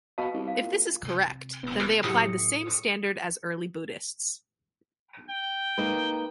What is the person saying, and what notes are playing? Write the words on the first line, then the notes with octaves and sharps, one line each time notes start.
If this is correct, then they applied the same standard as early Buddhists.
B2 D#5 F5 A5
C2
F5
A#2
C3
E1 B3
A2 F#3 E4 G4 D#6 C#7
G5
A#3 D#4 B4